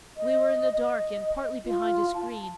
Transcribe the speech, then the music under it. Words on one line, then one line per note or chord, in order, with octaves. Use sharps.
We were in the dark and partly behind a screen.
D#5
D#5
F4
A5